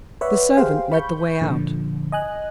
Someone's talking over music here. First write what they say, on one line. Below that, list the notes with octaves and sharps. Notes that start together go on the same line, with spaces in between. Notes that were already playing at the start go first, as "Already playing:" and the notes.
The servant led the way out.
B4 C#5 D5 E5 F#5 B5
G4 G#4 C5 F5 G5
B5 C#6 G6
A#2 D3 F3
D#5 G#5 F#6